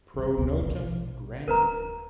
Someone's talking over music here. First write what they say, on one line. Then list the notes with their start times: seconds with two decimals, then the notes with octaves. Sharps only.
Pronotum granular.
0.14 G2 B2
0.38 D2 C3
0.61 A#1 B2
1.48 D1 A#4 B4 A#5